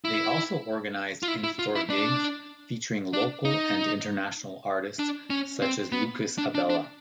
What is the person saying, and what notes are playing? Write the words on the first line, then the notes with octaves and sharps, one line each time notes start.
They also organised in-store gigs featuring local and international artists such as Lucas Abela.
E4
F4
E4
E4
F4
E4
D4
D4
D#4
D4
C#4
C4
B3
D4
D4
D4